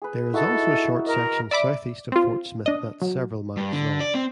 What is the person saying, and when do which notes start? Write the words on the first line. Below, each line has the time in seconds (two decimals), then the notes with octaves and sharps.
There is also a short section southeast of Fort Smith that's several miles long.
0.02 G#4 B4
0.34 D#4 E4 F#4 A4
1.06 A#4 D#5
1.51 D5 E5 B5 D6
2.12 C4 F4
2.66 D4 D#5
3.02 F#3
3.57 G2
3.72 D3
4.00 D5
4.15 C4